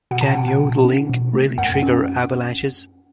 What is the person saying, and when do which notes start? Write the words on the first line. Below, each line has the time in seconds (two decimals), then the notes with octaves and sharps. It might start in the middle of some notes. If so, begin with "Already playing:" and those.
Can yodeling really trigger avalanches?
0.11 B2 F#5
0.21 A5
0.31 B2 F#5
0.60 B2
0.84 C#4
1.09 B2
1.33 A3
1.58 F#2 F#5
1.83 C#4